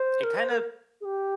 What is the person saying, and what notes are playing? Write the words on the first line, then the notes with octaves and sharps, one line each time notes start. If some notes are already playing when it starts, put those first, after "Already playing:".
It kinda
Already playing: C5
A#4
C5
A#4
G#4
G4